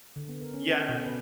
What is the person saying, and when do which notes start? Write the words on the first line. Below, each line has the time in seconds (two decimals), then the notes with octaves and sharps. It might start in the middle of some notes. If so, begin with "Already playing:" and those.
yeah, and, I
0.16 D3
0.29 B3
0.41 A#4
0.54 C#4
0.68 A4
0.89 B2
1.05 B4